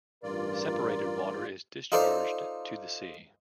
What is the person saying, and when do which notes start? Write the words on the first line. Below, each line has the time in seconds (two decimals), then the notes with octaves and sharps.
Separated water is discharged to the sea.
0.23 A1 G2 F4 A#4 D5
1.92 D#4 F4 A4 C5 D5 F5